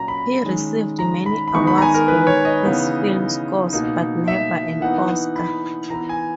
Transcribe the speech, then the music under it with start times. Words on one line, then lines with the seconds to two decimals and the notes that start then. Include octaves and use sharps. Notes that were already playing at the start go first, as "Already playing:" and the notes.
He received many awards for his film scores, but never an Oscar.
Already playing: A#2 F#3 C#4 A#5
0.08 B5
0.45 D#3 G#3 C#4
0.99 A#5
1.26 B5
1.48 B5
1.54 D#3 G#3 B3 D#4 C#6
1.67 B5
1.78 A#5
1.82 G#5
1.94 A#4
2.08 B4
2.27 C#5
2.45 D#5
2.63 C#3 E3 B3 D#4
3.73 B2 A#3 D#4
4.28 E5
4.81 E3 B3 D#4 F#5
5.36 B5
5.90 E3 B3 E4 A#5
6.09 G#5